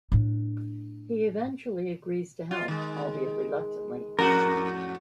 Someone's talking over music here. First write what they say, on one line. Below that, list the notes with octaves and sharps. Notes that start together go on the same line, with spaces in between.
He eventually agrees to help, albeit reluctantly.
A2 D4
F4
D#3 G#3
F2 A2 F#4 A#4